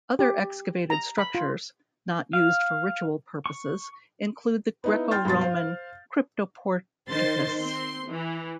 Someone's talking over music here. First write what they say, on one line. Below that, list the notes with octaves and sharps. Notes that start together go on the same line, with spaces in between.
Other excavated structures, not used for ritual purposes, include the Greco-Roman cryptoporticus.
G4
A#5
B5
F4
F5
C#6
B3 D#4 E4
G5 C6 F6 G6 A6
G2 B2 C6 A6
C5 F5
D#3 C5 C6 A6
C4 C6
E3